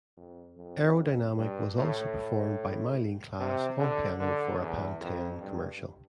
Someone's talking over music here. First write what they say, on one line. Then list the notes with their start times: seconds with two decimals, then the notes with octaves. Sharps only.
"Aerodynamic" was also performed by Myleene Klass on piano for a Pantene commercial.
0.17 F2
0.57 F2
1.37 G2
1.78 A2
3.40 C3
3.79 D3
4.20 D3
4.60 E2
5.01 F2
5.41 G2